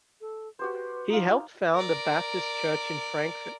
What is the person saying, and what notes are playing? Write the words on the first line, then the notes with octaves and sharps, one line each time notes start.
He helped found a Baptist church in Frankfort.
A4
F#4 G4 B4 C5
D#4 F4 F5
A#4 D5